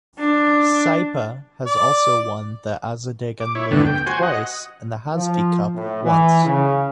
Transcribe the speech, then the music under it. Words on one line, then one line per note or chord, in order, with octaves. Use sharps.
Saipa has also won the Azadegan League twice and the Hazfi Cup once.
D4
D5
D6
E4 C#5
D2 G2 D3 A3 B3
G5
F#4 C5 G#5
D#5 F#5
F3
A2
E3
C#3